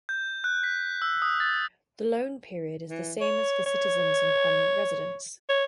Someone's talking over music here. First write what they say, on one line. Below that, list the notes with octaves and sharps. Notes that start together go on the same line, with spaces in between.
The loan period is the same as for citizens and Permanent residents.
G6
F#6
B6
E6
D#6
A6
E3
C#5
C#5
C#5